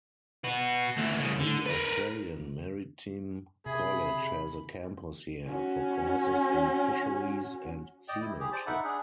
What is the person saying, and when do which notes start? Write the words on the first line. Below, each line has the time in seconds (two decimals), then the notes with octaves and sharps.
The Australian Maritime College has a campus here, for courses in fisheries and seamanship.
0.44 F#4 B4
0.97 D2 E3
1.20 C2 C#3
1.40 D3
1.66 A#4 B4
3.66 C3 G#4 E5 B5
5.48 C#4 F#4
8.08 D5 D#5 G5
8.21 E4
8.40 G4 G#4
8.53 C5 D5 A5
8.67 D#4 E5 F#5 B5
8.84 D4 G#4